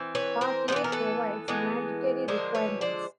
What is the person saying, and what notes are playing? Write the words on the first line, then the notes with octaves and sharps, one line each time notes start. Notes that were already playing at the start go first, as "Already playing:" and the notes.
Part A provides mandatory requirements.
Already playing: E3 C4
B4 C#5
A#4 C5
E3 G#3 B3 B4 C5
A#4
A4 B4
E3 G#3 B3
D3 F3 G#3 A#4 C5
B4 C#5
C5 D5